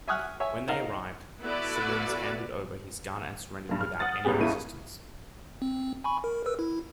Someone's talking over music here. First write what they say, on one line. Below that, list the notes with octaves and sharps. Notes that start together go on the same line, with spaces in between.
When they arrived, Simmons handed over his gun and surrendered without any resistance.
E5 G#5 C#6 D#6 F6 F#6
C#5 E5 G#5
D#4 A#4 F5 A#5
B3 E4 F#4 A4 B4 D5
G2 A#2
F6
F#5 D#6 A6
C#2 A2 B3 G4 G#4
C#2 B2 A#3 E4 D#7
C4
G#5 B5 C#6
A#4
A#4 B4 E6
E4